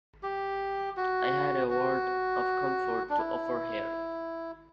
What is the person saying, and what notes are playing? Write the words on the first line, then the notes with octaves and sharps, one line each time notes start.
I had a word of comfort to offer here.
G4
F#4
F#4
D4
E4